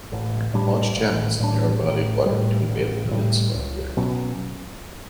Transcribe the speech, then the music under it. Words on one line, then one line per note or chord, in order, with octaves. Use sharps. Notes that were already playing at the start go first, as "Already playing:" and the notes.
Launch Channel is the narrow body of water between Bailey Peninsula and the island.
A1
A2 G3 D4
A1
A2 G3 D4
A1
A2 G3
A1
A2 G3
C#2
B2 F#3 C#4